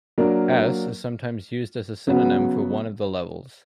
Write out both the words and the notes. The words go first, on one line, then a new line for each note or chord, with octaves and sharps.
"S" is sometimes used as a synonym for one of the levels.
F#3 A#3 D4 A#4
C#3 F#3 B3 F#4